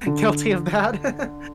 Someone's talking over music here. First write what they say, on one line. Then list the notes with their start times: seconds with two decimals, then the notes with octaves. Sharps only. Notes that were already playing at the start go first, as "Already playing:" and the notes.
guilty of that.
0.06 D3